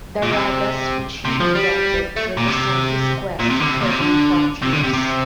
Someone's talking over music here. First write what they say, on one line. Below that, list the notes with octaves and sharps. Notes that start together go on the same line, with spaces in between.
The ragas which he invented represent his quest for new frontiers.
A#2
C3
C3
F3
G3
A3
A#2
C3
A#2
C3
D3
C3
A#2
C3
D3
C3
D3
C3
C3